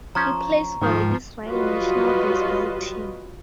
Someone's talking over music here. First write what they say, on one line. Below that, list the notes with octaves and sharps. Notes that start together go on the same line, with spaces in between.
He plays for the Israel National Baseball Team.
F3 C#4 A#5 C#6
G#2 D#3 F3
F#3 G3 F4 F#4 B4 D#5